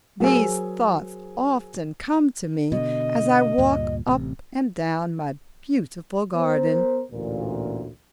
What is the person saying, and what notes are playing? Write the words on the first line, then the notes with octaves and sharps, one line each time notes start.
These thoughts often come to me as I walk up and down my beautiful garden.
F#3 G#4 A#4 C5 G#5 E6
B2 D3 D#5
D2 G2 A#2
A1 C3
B3 A#4 C5
A1 D2 A#2